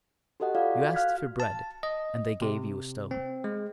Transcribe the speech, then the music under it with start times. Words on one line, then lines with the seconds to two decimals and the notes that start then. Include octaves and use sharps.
You asked for bread, and they gave you a stone.
0.40 F#4 G4 A4 D#5 F#5
0.55 F4 A4 D5 D#5 F5
0.81 F#4
0.94 F5 F6 F#6 G#6 B6
1.40 A5
1.83 D#5
2.42 C3
3.11 C4
3.44 G#3